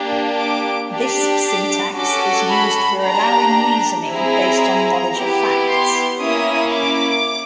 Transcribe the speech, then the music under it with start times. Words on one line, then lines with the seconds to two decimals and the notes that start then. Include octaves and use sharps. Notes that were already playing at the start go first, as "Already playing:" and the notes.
This syntax is used for allowing reasoning based on knowledge of facts.
Already playing: A#3 D4 G4
0.37 D6
0.91 D4 G4
1.44 D6
1.96 C#4 F#4 A4 D6
2.49 B5
3.03 D4 G4 A#5
4.09 C4 E4 G#4 A#5
5.15 B3 E4 G4
5.69 C6
6.21 A#3 C#4 E4 D#6
6.74 D6